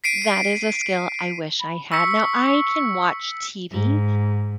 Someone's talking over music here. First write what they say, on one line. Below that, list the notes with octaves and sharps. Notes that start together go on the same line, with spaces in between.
That is a skill I wish I had, now I can watch TV
B6 C7 D7 D#7
B5
C#6 E6 B6 C#7
G#2